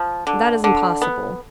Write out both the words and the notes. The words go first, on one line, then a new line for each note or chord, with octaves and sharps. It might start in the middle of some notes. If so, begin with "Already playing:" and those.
"That is impossible."
Already playing: F3
D3
D3
B3